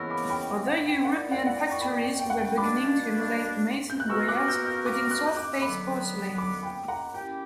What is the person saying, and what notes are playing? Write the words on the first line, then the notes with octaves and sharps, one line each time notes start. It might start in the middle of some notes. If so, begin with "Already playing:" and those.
Other European factories were beginning to emulate Meissen wares, but in soft-paste porcelain.
Already playing: C#3 E3 B3 E4 A#4 C#6 E6 F#6
B5 D6
G5 B5
G5
F#5
G5
A#3 E4 A#4 D5 F#5
F#5
F#5
G5
C#6
G5 B5
G5
G5
F#5
G5
B2 G3 A#3 D4 B5 D6
G6
F#6
B3 F#4 A#4 C#6 E6
D6 F#6
E6 G6
E6 G6
D6 F#6
D6 F#6
G6
D6 F#6
E6
D3 F#3 B3 B5 D6
B5 D6
G5 B5
F#5 A#5
A#3 C#4 E4 G4 G5